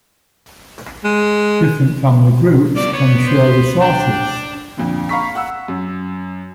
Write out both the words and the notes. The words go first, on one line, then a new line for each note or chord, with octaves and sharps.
Different family groups can share resources.
G#3
B2 G3 D5
B3 C#5
C5
D4 G5
F2 A#2 D3
F5 A#5 B5 C#6 B6
F#5 E6
F#2